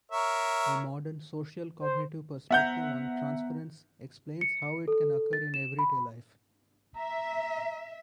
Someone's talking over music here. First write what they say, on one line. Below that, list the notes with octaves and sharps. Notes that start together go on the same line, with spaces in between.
A modern, social-cognitive perspective on transference explains how it can occur in everyday life.
A#4 C#5 E5
C5
B3 C5 E5 F#5 A#5 G6
C#7
A4
A6
E7
B5
E5 A#5